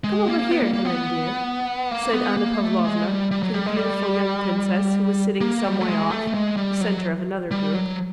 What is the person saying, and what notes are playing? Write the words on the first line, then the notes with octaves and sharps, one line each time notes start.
"Come over here, Helene, dear," said Anna Pavlovna to the beautiful young princess who was sitting some way off, the center of another group.
G#3
A#3
B3
A#3
A#3
B3
A#3
B3
A#3
A3
G#3
G3
G3
F#3
G3
G#3
G3
A#3
G3
A3
G#3
A3
A3
G#3
G3
F#3
G3
F#3